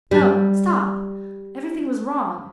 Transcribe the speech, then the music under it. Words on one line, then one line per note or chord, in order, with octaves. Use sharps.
No, stop! Everything was wrong.
G3